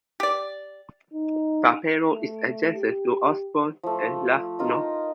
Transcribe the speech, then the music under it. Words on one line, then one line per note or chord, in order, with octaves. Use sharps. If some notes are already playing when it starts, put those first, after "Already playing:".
Taperoo is adjacent to Osborne and Largs North.
G4 D5
D#4
A3
G4
F3 A3
D#4 F4 A#4 D#5